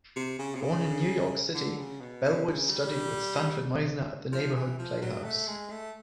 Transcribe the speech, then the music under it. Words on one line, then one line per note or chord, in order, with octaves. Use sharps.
Born in New York City, Bellwood studied with Sanford Meisner at the Neighborhood Playhouse.
C3
C#3
C3
C#3
D3
C#3
B2
C3
C#3
G3
F3
E3
F3
F#3
A3
G#3
A3